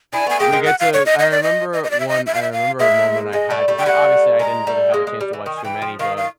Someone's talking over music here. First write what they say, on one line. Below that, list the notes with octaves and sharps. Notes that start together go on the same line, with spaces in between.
We get to I remember one I remember a moment I had, 'cause I obviously I didn't really have a chance to watch too many, but
D4 E4 G#5
A3 B3 G#5
G#3 A#3 G5
G#3 A#3
F#5
F5
C#5
D#5
D#5
D5
D#5
D#5
D#5
D5
E5
D#5
E5
F5
E5
F5
G#3 A#3 E5
G#3 D#5
G3 A3
G3 A3
G5
G3 A3 F#5
G#3 A#5
G3 A3
G#3 A#3
G#3
G3
E3
D#3 G5
G#5
E3 G5
F3
D#3 F5
F5